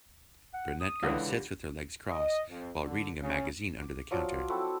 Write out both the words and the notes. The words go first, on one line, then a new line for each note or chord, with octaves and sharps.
Brunette girl sits with her legs cross while reading a magazine under the counter.
F#5
D#6
C#2 D3 E3
G4
D#5
F2
D3
C#3
D6
F3 F#3 F4 D5
C4 E4 F#4 A4